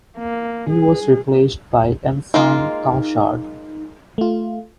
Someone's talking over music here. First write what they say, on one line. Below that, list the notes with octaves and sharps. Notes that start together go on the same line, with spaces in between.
He was replaced by Ensign Cauchard.
A#3
G#4
G#3 A#3 D#4 F4
A3 F4